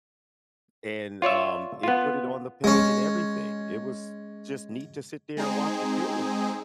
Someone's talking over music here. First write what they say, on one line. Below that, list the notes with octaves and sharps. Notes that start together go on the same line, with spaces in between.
and, um, it put it on the page and everything. It was just neat to sit there and watch it do it.
F4 C#5 D5 E5
B3 F4
G#3 C#4
G#3 C4 D#4 G#4